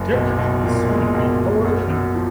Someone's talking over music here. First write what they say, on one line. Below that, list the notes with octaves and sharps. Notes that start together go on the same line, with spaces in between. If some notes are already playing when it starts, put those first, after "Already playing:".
Temperatures would be lower inland.
Already playing: F#1
B1
B1
A#2
G#3
B1
B1
F#2
F#2
F3